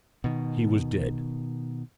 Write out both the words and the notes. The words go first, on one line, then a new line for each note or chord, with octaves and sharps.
He was dead!
B2 D#3